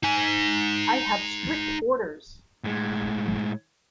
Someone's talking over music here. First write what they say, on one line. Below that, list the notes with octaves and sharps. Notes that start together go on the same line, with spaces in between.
I have strict orders.
D#4 G#5
A2 G#3